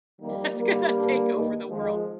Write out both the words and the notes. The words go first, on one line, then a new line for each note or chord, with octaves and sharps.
It's gonna take over the world.
F2 D#3 G3 A#3
G2 D3 G3 A#3
G2 D3
G2 D#3
F2 D#3 F3 G#3